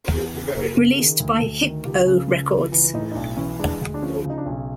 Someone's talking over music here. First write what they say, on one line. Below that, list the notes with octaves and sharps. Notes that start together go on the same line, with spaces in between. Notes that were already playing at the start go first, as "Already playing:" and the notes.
Released by Hip-O Records.
E2 G#4
C#3
F#1 A#4
C#3
A4
D#3 G#4
D2
D2 A4
D#3
C#2 G4
C#3
C#2
C#2
E3
A2 D#4
D#4
B1 D4
E3 C#4
G#3 D4
D2
D4
F3 C#4
C#3
D#4
D4
B1 C#4